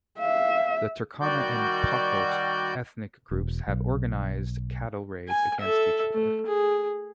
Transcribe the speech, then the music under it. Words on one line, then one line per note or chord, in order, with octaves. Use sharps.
The Turkana and Pokot ethnic groups have organized cattle raids against each other.
E5 F5
D#3 G3 F#4 D5 G6
E1
B1
G#5
A4 E5
A3
G#4